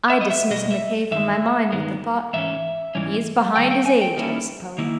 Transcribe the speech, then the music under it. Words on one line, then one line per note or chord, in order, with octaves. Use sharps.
I dismissed Mackay from my mind with the thought: 'He is behind his age, I suppose.'
E5
D#5
E5
B2 G3 D#5
E5
G2 D#3 E5
G2 D#3 G#3 B3
G#2 E3 C#4 E5
G#2 E3 G3 C#4
D#3 G3 G5
G5
G#5
G5
D#3 G3 A#3 C#4 E4
D#3 A#3 E4